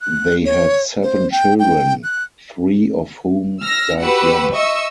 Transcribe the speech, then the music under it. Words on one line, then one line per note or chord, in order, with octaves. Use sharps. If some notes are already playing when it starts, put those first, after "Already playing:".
They had seven children, three of whom died young.
F#6
C#5
C5
G5
G5
F#6
E6 F6 A#6
F#4 G4 B4 F#5 E6
D#5 E5 C#6 E6